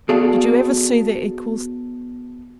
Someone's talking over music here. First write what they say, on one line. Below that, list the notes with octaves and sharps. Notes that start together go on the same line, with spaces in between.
Did you ever see their equals?
B3 F#4 G#4 A4 D5 F5